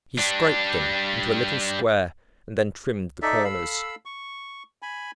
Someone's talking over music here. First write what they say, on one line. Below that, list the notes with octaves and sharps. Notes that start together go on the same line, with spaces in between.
He scraped them into a little square, and then trimmed the corners.
G3 D4
D#4 A4 D5 E5
A4 F5 B5 E6
C#6
G#5 B5